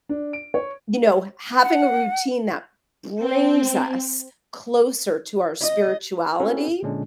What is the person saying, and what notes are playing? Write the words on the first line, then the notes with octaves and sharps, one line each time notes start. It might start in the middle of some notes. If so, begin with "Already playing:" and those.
you know, having a routine that brings us closer to our spirituality,
D4
D7
C#5
F#5
C4
D#5
C4 C#4 E4 F#4 A4 B4
A#2 D3 G#3 C#4 D4